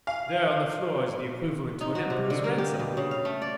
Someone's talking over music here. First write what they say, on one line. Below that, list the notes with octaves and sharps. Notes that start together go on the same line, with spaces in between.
There on the floor is the equivalent to an emperor's ransom.
F5
D#4
F#4
C3
D3
A#3
G4
B2
C#3
F5
A3
D5